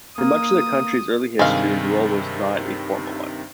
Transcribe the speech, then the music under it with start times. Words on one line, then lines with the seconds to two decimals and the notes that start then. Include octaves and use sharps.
For much of the country's early history, the role was not a formal one.
0.18 A#3 D#6
1.39 G2 C3 D#3 G#3 F5